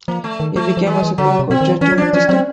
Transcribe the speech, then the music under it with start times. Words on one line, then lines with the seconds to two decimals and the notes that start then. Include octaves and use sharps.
He became a supreme court judge during this time.
0.08 F3 A#3
0.24 A3
0.40 D#3
0.56 F3 A3
0.77 F3
0.87 E3 G#3
1.03 E3
1.18 D3 F#3
1.29 C#3
1.39 C3
1.50 B2 C4
1.61 D#3
1.71 E3
1.81 E3 C#4
1.92 F#3
1.98 F3 D4
2.13 F3 C#4
2.29 F#3 C4